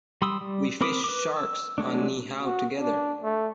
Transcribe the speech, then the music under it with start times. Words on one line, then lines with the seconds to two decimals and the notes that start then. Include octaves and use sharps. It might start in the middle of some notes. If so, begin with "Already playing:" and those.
We fished sharks on Niihau together.
0.22 G3 B5 C6 D#6 E6
0.41 G3
0.81 C4 A#4 B5 D6 D#6
1.04 B4 D6
1.36 E6
1.78 F#3 G#3 A3 D4
2.43 F#4
2.78 D4
3.23 A3